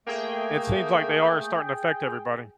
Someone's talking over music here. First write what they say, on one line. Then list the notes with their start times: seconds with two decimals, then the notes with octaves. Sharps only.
it seems like they are starting to affect everybody.
0.07 A3 A#3 G#4 G5